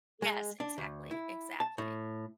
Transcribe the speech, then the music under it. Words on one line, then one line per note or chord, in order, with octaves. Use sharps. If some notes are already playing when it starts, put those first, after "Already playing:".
yes, exactly. Exactly.
G#3
D4
D2
E4
A5
A2